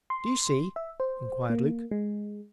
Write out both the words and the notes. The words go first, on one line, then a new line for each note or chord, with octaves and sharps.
Do you see?' inquired Luke.
C6
E5
C5
A#3
G#3